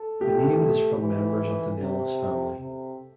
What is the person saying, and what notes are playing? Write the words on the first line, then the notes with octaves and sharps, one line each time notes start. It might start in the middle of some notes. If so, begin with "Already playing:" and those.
The name is from members of the Nellis family.
Already playing: A4
A3 G4
E3
C3
C3